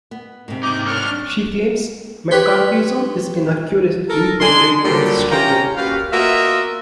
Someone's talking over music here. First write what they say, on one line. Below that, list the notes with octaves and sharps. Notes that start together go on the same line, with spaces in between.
She claims McCarthyism is inaccurately portrayed as destructive.
B3
G#2 C3
A#3 D#4 D6
D4 C#5 F6
G4 B4 C#5 B5 C6
A4 A#4
D4 D#4 G#4 G#5 C6
A#2 D3 F#3 G3 G4
C#4 E4 F4 G4 G5 A#5
A#2 C#4 F#4 G4 B4 F5
A#3 B3 F4 F#4 D#5 E5